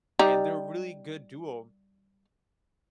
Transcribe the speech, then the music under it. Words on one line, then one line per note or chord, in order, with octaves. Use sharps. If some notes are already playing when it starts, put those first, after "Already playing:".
and they're a really good duo,
G3 D#4